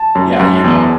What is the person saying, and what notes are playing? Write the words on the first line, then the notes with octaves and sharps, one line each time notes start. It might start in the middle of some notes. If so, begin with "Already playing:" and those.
Yeah, you know,
Already playing: A5
F#2
F#2
E2